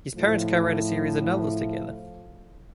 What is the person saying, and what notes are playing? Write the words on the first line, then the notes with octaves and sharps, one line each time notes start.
His parents cowrote a series of novels together.
A2 F3